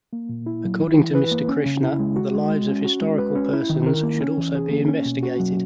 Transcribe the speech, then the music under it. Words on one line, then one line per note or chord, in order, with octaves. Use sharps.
According to Mr. Krishna the lives of historical persons should also be investigated.
A#3
A#2
E4
F#3
E4
E3
B4
A#3
C#4
C#3
E4
G#3
F#4
G#3
G#3
C#4
F#4
G#3
B4
C#4
E4
D#3
A#4
A#3
C#4
E3
G#4
A#3
C#4
B2
F#4
F#3